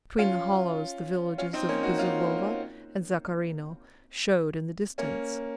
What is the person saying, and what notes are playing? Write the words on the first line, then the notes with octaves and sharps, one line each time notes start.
Between the hollows the villages of Bezubova and Zakharino showed in the distance.
C#4 F4
C#4 F4
C4 D#4
A#3 C#4
D#4 F#4
C#4 F4
A#3 C#4